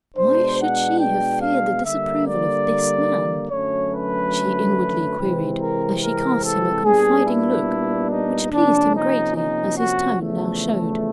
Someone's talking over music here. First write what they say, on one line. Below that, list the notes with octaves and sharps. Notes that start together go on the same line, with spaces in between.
"Why should she have feared the disapproval of this man?" she inwardly queried, as she cast him a confiding look which pleased him greatly, as his tone now showed.
B2 G#3 B3 D4 C5
F#5
G5
F5
D3 G3 A#3 E5
D5
F#2 D3 F#3 A3 C#4 C#5
B4
C3 E3 G#3 C4
A#4
A#4
A4
A#2 G3 B3 D4 G#4
E4
D#4
C3 F3 A#3 C#4 D4
D#4
D#4
F#4
E2 C#3 F3 A3